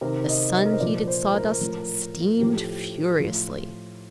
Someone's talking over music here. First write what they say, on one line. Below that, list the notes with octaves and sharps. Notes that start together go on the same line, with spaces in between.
The sun-heated sawdust steamed furiously.
C3 D#3 A#4
D#5
D#5
A#4
C5
A#2 F3 D5
C5
A#4
A2 F3
A2 F3 G4
A4
G4
A2 F3 F4